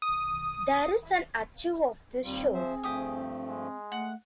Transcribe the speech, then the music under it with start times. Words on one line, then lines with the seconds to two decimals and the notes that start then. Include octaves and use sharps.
There is an archive of these shows.
0.02 D#6
2.24 D#2 G3 C4 F4
2.54 F3 G#4 C5 E5
2.83 G2 F3 A3 G4 D#6
3.48 G#3
3.92 A3 F#5